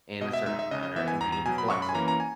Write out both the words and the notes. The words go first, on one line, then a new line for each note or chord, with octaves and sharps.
in a certain matter, and being flexible;
B2 D#5
E5
G#3 D#4 E5
E5
C#3 D#5
D#5
E3 B3 E5
G#5
E2 A#5
A#5
B2 F#3 G#5
B5
F#2 C#6
B5
G#5
E3 A#3 C#4 A#5
A#5
G#5